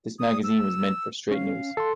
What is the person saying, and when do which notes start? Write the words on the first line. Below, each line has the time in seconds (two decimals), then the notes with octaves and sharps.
This magazine was meant for straight news.
0.19 D#6
0.44 E6
1.31 C#4 F5
1.77 A4 C6